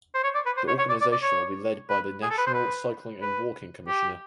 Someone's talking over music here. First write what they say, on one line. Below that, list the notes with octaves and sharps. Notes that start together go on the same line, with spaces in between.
The organisation will be led by the National Cycling and Walking Commissioner.
C5
C#5
D5
B4
C5
C#5
C#5
D5
D5
D5
C#5
B4
G#4
A4
B4
C5
B4
B4
G4